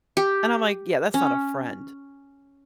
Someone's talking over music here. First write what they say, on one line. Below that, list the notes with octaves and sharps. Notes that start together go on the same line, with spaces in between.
And I'm, like, "Yeah, that's not a friend."
G4
C#4